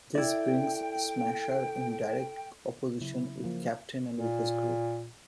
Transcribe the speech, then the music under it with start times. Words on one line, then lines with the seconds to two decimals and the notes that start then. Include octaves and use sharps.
This brings Smasher in direct opposition with Captain America's group.
0.15 E4 A4 D5 G5
3.01 C#3 F#3 E4
3.44 F3 A#3
4.12 A#2